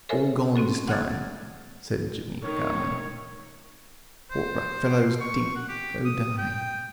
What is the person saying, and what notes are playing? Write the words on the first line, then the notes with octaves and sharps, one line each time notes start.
All gone dis time," said Jimmy calmly. "Poor black fellows tink go die.
A4 A#4 C5 C#5 E5 G#5
C4 C#4 F#4 A4
F#5 F6 F#6 G#6 A6
D#3 C#5
C5
C6
C#6
F#5
G4
D#6
G5